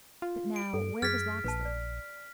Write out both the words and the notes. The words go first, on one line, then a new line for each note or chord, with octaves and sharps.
"But now, where was Locksley?"
F4
D7
G2 A4
F#2 G#4 F6 G#6 A6 B6
A#1 B4 A5
D5